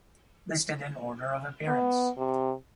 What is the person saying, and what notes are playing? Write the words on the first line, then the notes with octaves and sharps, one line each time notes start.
Listed in order of appearance.
B3
C3